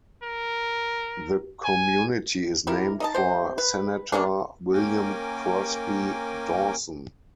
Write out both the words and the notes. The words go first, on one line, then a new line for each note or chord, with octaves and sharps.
The community is named for Senator William Crosby Dawson.
A#4
G#5
G3 E4 A#4
D#4 D#5 A5
C3 C5
B4
C#3 A#3 C#4 D4
A#3 C#4 A#4 G5 G#5 D6